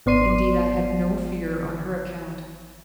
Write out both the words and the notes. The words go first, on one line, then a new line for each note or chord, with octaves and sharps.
Indeed I had no fear on her account.
G#1 B3 D5 C6 C7 D#7